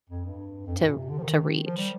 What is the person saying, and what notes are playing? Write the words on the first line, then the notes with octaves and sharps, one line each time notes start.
to to reach."
F2
G2
F2
G2
A#2
C3
D3
F3
D#3
F3
G3